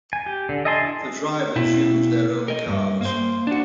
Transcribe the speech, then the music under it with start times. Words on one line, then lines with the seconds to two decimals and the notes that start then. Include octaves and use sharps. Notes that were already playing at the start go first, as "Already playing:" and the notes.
The drivers use their own cars.
0.13 G#5
0.26 G4
0.49 D3
0.65 D#5 E5 G#5 A5 C6
0.82 D4 E4
1.56 B2 E4
2.48 A#4 D#5
2.66 E2 G2
3.01 A#3 C5
3.47 D4 F#4